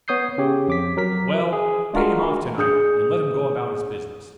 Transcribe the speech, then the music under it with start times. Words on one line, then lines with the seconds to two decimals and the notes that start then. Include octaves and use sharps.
"Well, pay him off to-night, and let him go about his business."
0.08 B3 C#5 D#6 G6 C7
0.38 C#3 C#4 G4 C#5
0.68 F2 D6 B6
0.97 F#3 A#4 B6
1.53 G#4
1.94 G#3 D4 F4 F#4 A#4
2.58 D4 G#4 D#6 G6 C#7